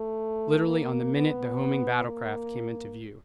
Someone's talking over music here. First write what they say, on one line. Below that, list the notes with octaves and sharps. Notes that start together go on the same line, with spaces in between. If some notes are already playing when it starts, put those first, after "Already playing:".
Literally on the minute the homing battlecraft came into view.
Already playing: A3
A#3
B3
A#3